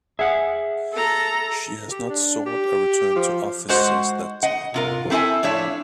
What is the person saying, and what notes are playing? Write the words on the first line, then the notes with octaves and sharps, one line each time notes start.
She has not sought a return to office since that time.
G#4 E5 F#5
A4 A#5
G4
D4
G4
F3
G#2 G#3 F#4 C5 F#5
D#5 F#5
C3 F4 A#4
A3 C4 E4 A4 E5 G#5
A2 F3 D4 C#5 E5